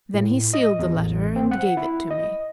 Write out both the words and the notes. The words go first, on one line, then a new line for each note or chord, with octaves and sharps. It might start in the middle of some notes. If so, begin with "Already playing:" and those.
Then he sealed the letter and gave it to me.
A2
D#5
E2
A1
C4
F#5
E4
D#5